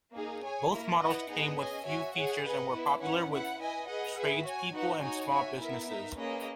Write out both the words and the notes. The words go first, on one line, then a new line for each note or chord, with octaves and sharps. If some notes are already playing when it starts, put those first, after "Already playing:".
Both models came with few features and were popular with tradespeople and small businesses.
A#3 D#4 G#4
G#4 C#5 G#5
A#3 E4 A#4
E4 B4 D#5 F#5
B3 D#4 G#4 D#5 F#5
C#4 G#4 D#5 G#5
F#4 C#5 E5 G#5
G#4 C#5 F#5
G#4 B4 D#5 F#5
B3 E4 B4
C#4 E4 B4 F#5
E4 B4 F#5
E4 B4 D#5 G#5
G#4 B4 D#5 F#5
G#4 B4 E5
F#4 C#5 G#5
D#4 F#4 B4 F#5
D#4 F#4 C#5 G#5
F#4 C#5 E5 G#5
B3 E4 A#4 E5
D#4 A#4 E5
A#3 C#4 G#4 B4 D#5